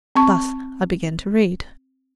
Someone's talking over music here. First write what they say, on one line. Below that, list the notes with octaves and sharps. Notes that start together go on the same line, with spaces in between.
Thus I began to read.
C4 A5 C#6